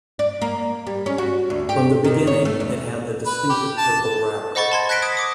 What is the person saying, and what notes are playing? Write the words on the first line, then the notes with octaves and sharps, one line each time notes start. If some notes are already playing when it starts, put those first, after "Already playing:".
From the beginning, it had the distinctive purple wrapper.
D5
A#3
G3
C#4
F#4
D2
G4
D#3
C#5
A3
E2
B4
G4
A5
C5 D#5 F#5 B5 C#6 A6
A5 C6 G#6
F#6 G#6 A#6 B6 C#7 D7
D#6 G#6 D7
D6 D#6